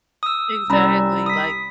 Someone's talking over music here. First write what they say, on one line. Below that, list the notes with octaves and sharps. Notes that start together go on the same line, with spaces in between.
Exactly, like
D#6 E6
C2 G3 C#4 D5 A#5 B5 E6
D#6 B6